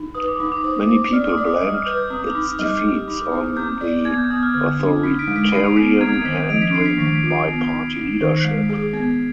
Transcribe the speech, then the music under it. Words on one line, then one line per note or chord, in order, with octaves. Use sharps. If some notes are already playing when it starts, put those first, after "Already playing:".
Many people blamed its defeats on the authoritarian handling by party leadership.
Already playing: D#4
B4 D#6
D6
D#4 D#6
D6
C5 D#6
C5
D5 F6
D#6
D5
D6
G3 D#6
F6
B4 G6
G6
C4 D#6
D6
D#4
D#6
G3 F6
G4
D#4
C5
C4 G6
D5
B3 G#6
G6
B3 D#6
G6
F6
D3 G#6
D4
D#4 B6
B6 D7
G#3
B6 D7
D#4 C7 D#7
D7 F7
B3 B6 D7
C7
C4 G#6
G#6
D#3 B6
F3 D7 F7
B6 D7
D4 C7
B6
D#3 B6
B6
F4
C7
B3
D#4
D#4
D#3
C7
G#3 B6
G#4
B3 G#6